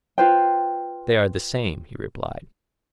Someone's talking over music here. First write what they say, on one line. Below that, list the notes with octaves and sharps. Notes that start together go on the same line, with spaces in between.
They are the same, he replied.
F4 B4 C5 G5